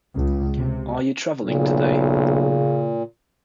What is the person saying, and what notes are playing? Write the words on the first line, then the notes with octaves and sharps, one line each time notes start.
Are you travelling today?
C#2
C3
B1 A#2 C#3